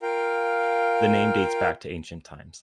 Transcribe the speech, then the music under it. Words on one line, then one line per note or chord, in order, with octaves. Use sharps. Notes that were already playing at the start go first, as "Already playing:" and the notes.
The name dates back to ancient times.
F4 A#4 F5 G5